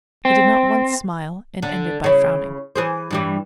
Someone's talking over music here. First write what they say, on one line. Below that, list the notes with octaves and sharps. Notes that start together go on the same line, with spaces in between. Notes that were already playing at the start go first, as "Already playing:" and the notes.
He did not once smile, and ended by frowning.
C4
D3
C#3 E4
E3 G#4 C5
G2 E3 G3